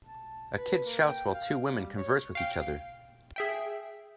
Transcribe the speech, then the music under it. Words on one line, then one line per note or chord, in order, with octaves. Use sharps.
A kid shouts while two women converse with each other.
A5
B4
A#3
G5
F5
G3
C#5
F5 G5
G#4 E5 G5